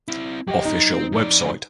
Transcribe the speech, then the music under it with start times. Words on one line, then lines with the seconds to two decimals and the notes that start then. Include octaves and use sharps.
Official Website.
0.08 C4 E4
0.47 F#3 G4 D#5
0.65 D#4
0.94 C4
1.12 F2 D5